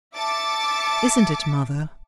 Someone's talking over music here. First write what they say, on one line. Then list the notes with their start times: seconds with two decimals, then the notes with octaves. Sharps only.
Isn't it, mother?'
0.15 E5 A5 D6 A6 C#7